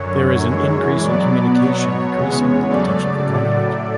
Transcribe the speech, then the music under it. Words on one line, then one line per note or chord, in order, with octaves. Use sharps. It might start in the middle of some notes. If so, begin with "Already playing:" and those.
There is an increase in communication increasing the potential for conflict.
Already playing: F#2 D3 F#3 C#5
F#2 E3 G#3 C#5
B2 F#3 B3 D5
B2 F#3 B3 C#5
E2 C#3 G#3 B3
C#3 F#3 A3 D5
A2 F#3 A3